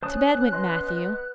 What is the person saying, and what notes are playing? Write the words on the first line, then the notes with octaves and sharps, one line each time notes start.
To bed went Matthew.
C#4 C5 A5 D#6 F#6
B3 D#5 C6